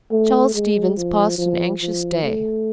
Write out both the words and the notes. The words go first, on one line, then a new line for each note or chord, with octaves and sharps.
Charles Stevens passed an anxious day.
A3
G#3
F3
F3
F3
A3